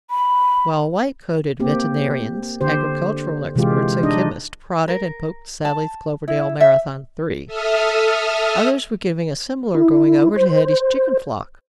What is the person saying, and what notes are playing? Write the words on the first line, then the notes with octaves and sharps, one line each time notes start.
While white-coated veterinarians, agricultural experts and chemists prodded and poked Sally's Cloverdale Marathon III, others were giving a similar going-over to Hetty's chicken flock.
B5
A#3 C4 G4
D3 G4 C5
C3 E3 G#3 F4 G4
D4 D#4 D#5
A#4
A5
E4
E5
A4 E5 D#6 F6
E4
C5